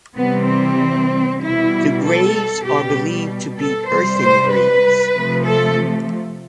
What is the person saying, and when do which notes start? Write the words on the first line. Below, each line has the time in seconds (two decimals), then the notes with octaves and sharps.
The graves are believed to be earthen graves.
0.16 C3 E3 G3 B3
0.47 C4
1.40 B2 G3 E4
2.03 A4
2.64 B2 G3 G4
3.58 A4
3.89 C3 G3 C5
4.20 C5
4.51 B4
5.13 C3 F3 A3
5.45 A4